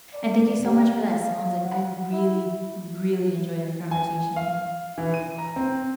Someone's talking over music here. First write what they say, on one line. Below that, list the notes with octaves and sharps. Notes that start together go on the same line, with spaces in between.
And thank you so much for that songs, like, I really, really enjoyed our conversation.
D5
G4
F5
F#5
E4
G#5
F5
E3
D#7
A#5
C4